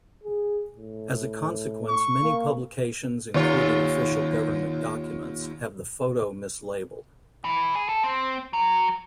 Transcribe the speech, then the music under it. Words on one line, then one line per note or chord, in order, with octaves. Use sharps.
As a consequence many publications including official government documents have the photo mislabeled.
G#4
A2
C#6
A#3
D#2 F4 C#5
E3
G#4
A4
C4
F#3